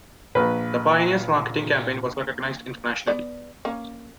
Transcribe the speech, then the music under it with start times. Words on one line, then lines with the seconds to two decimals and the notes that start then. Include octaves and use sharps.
The Pioneers marketing campaign was recognized internationally.
0.35 A#1 A#2 B4
3.08 B3 D5
3.65 A#3 C#4